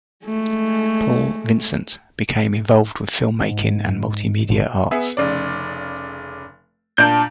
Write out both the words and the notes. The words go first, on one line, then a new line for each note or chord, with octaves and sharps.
Paul, Vincent became involved with film-making and multimedia arts.
G#3 A3
G#2
G#1 A#2 D3
B3 G#4 E5
F1 C#3 D5
A#2 D4 A5 G6 D7